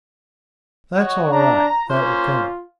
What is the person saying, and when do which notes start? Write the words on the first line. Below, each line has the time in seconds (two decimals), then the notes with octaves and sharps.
That's all right--that will come.
0.97 F#4 C#5 D#5
1.31 D4 A#5
1.89 A#3 C#4 F4 C5